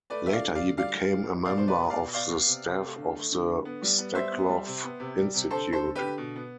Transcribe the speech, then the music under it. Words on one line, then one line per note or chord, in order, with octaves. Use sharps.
Later he became a member of the staff of the Steklov Institute.
A3 B4 D5
D3 E5
D5 F5
D3
D5 F5
D3
G3 D5 F5
G3
A2
A2
B2 D5 F5
B3 C5
B4 D5
B3
D5 F5
B2
B3 D5 F5
B3
C3
C3
A3
D3
A3
D3
D3
B3
G3
B3
G3 C5 E5
B3
G3
C3
B3
C3
G3
C3
D3 A4 C5
D3
A4 C5
D3
G4 B4
D3
B2
B3